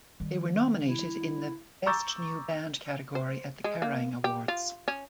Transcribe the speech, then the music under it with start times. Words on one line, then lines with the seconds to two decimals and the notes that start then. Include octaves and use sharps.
They were nominated in The Best New Band Category at the Kerrang Awards.
0.20 D#3 G3
0.87 E4
1.86 A#5 C#6 D6 E6 G6 A6
3.15 C5
3.64 G#3
3.82 A#3
4.24 G4
4.48 F4
4.88 C#4